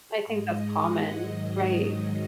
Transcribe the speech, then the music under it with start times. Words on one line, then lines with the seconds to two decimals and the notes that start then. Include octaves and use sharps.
I think that's common, right.
0.24 G#2 G#3 D#5
0.72 F#5
1.19 G#2 D#3 F#3 D#5